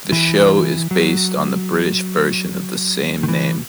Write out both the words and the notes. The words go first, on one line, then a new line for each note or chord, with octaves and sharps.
The show is based on the British version of the same name.
E3
F#3
D#3
E3